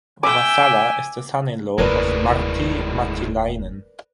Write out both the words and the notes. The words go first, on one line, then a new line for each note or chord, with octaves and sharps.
Vasala is the son-in-law of Martti Matilainen.
E5 G5 G#5 D6
F1 D#2 A2 G#3 A#4 B4 D5